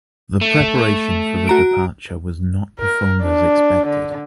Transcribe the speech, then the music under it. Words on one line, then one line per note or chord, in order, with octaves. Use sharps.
The preparation for the departure was not performed as expected.
A3
F#4 A#5 D7
A#4
D4
D3